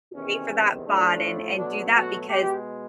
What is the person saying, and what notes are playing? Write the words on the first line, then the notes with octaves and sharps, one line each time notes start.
pay for that bot and and do that because
E2 C3 D#3 C#4
A2 F3 A3 D4
B2 F#3 A3 D4
F#4
B2 G#3 G4